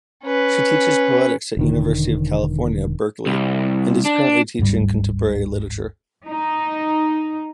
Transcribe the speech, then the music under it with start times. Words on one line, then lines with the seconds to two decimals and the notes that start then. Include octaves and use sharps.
She teaches poetics at University of California, Berkeley, and is currently teaching contemporary literature.
0.24 C#4 B4
1.57 E1 D3 D#3
3.26 C2
4.05 D4
4.59 D1 G1 G#2 G3
6.26 D#4